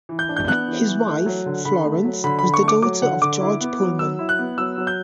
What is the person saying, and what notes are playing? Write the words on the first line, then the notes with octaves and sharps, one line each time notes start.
His wife, Florence, was the daughter of George Pullman.
E3
G6
D4
G6
B3 F#6
E3
E3
A3
F#3
D3
D3 B5
A3
F#3
D3 B5
B5
D3
C#6
A3 D6
F#3 D6
D3 F#5
D3 D6
E4
B3
F#3
F#3 E6
E4
F#6
B3
F#3 E6
F#3
G6